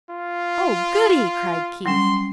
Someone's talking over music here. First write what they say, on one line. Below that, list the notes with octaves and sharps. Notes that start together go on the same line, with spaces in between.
"Oh, goody!" cried Keith.
F4
F#3 G3 C#4 C6